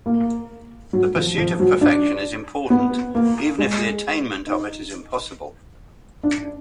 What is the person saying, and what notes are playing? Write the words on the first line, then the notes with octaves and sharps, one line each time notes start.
The pursuit of perfection is important, even if the attainment of it impossible.
A#3
F#3
F3
F3
F#3
D4
B3
A#3
G#3
D#4
D4